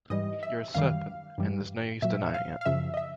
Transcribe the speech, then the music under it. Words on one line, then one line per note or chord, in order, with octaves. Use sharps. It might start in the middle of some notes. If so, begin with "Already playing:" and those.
You’re a serpent; and there’s no use denying it.
G#2 E3 G3 D#5
E5
F#2 D#3 G3 F5
G2 E3 G3
A#2 F#3 E5
F5
F5
F#2 C#3 F3 E5
D#5
E5